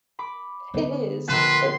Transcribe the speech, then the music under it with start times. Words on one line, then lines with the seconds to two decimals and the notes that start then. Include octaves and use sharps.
It is, and
0.19 B5 D6
0.74 D3 B3
1.29 A#1 D3 B4 C6 E7